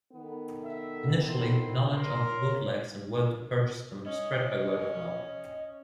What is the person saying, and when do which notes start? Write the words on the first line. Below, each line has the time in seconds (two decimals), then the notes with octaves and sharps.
Initially, knowledge of bootlegs and where to purchase them spread by word of mouth.
0.13 D#3 B3 A4
0.64 E5
1.26 C4 E4 C5
1.94 A#4 C6
2.36 C#5
4.05 C#4 D#5